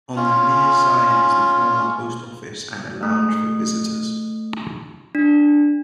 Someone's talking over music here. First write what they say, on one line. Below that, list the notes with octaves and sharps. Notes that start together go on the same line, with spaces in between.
On the near side is the former post office and a lounge for visitors.
C#4 F4
A3
D4